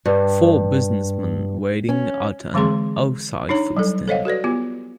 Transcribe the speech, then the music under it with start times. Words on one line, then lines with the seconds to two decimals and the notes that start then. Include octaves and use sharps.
Four businessmen waiting at a outside food stand.
0.05 G2
1.89 C#4
2.54 D3 E3 G#3 C4 G#4 C6
3.49 D4 D#4 C#5 A#5
3.77 F#3 G3 A4
4.08 A4 C5 C#5 D#5 F5 F#5
4.25 F#4 A4 B4 D5
4.44 B3 F4 G4